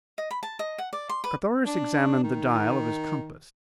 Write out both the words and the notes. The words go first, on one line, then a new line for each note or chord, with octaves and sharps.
Carthoris examined the dial of his compass.
D#5
B5
A5
D#5
F#5
D5
C6
B4
D4
D#3